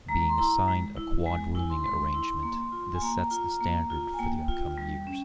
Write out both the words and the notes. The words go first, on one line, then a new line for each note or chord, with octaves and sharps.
Being assigned a quad rooming arrangement, this sets the standard for the upcoming years.
G#3 A#5
C6
E4 A#5
G#3
E4
G#3 G#5
E4 G#5
C6
G#3 C6
E4
A#3
F4
G#5
A#3 A#5
F4
A#3
F4
G#5
A#3 G5
F4
G3
C#4